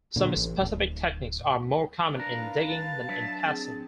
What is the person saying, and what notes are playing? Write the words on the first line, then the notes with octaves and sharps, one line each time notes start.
Some specific techniques are more common in digging than in passing.
A#2 D3
A1
D1
D4 A#4 B4 F5
A5
F#3 D4 E5
C4 G#4